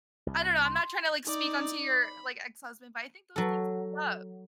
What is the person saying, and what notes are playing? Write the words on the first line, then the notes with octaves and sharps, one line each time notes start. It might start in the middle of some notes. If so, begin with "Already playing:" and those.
I don't know, I'm not tryna, like, speak on to your, like, ex-husband, but I think those things build up.
C2
C6
D#4 D5
B5
F#3 A4